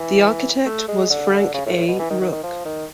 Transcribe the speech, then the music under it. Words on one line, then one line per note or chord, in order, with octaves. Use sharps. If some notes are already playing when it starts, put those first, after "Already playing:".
The architect was Frank A. Rooke.
Already playing: E3
A3
G#3
D3
C#3
A2
A2
B2
E3
D#3
D#3
D#3
F3
D#3